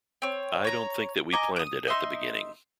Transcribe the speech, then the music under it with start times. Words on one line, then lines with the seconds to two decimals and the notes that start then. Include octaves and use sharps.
I don't think that we planned it at the beginning.
0.22 C4 C#5
0.64 C#5 A#5
1.33 D#5 G#5 A#5 D6
1.56 D6 D#6
1.88 D#4 D#5 E5 C6